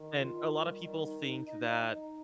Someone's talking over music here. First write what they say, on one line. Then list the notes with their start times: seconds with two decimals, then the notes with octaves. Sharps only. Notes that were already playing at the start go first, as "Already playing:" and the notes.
And a lot of people think that,
Already playing: D#3
0.15 F4
0.37 D#3
0.58 G3
0.80 D#3
1.02 D#4
1.24 D#4
1.46 D#4
1.67 D#4
1.90 D#4